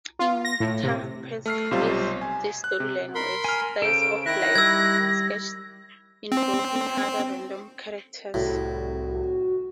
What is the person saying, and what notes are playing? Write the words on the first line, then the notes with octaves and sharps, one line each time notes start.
Interspersed with this storyline were "slice-of-life" sketched involving other random characters.
F4
A#6
A2
C3
A3 F6 C7
B1 C3 G3 F4 C5
G#5
F#6
C3
A#4 B5 C6
G#5 F6
C#3 A4 C5 D7
D#3 E4 E5 F#6 A#6
G3 E6 G#6
C4
C2 A2 F#4